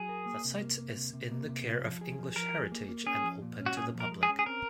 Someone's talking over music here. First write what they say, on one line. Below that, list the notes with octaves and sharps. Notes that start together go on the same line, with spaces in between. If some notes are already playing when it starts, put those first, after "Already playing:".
The site is in the care of English Heritage and open to the public.
Already playing: F#3 G#4
A#4
A#3
C3
A#3
A#3
C3
C3
A#3
C3
F4
F3
G#4
F3
F3 A#4
G#4
A#3
A#3
C#4 G#4
F3
A#2
C#4
F#4
A#2 G#4
F3
A#4
G#3
G#4
C#4
G#4
C4 A#4